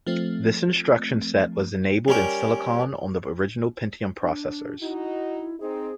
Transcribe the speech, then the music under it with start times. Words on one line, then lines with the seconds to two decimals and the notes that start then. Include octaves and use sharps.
This instruction set was enabled in silicon on the original Pentium processors.
0.07 F3 A3 C4
2.08 G3 C#4 A#4
4.22 D4
4.80 D#4 E4 F#4
5.60 C4 D#4 G#4